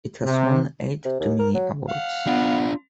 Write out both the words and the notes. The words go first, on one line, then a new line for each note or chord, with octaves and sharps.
It has won eight Gemini Awards.
C3
C3
D#2
A#4
F#3
F5 F#5
B3 D4 F4